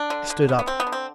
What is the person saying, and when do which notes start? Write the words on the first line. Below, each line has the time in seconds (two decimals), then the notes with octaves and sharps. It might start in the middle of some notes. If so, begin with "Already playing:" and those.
I stood up.
Already playing: D4
0.10 D3
0.30 D3
0.49 B3
0.59 B3
0.67 D3 C4
0.80 B3
0.87 D3
0.92 C4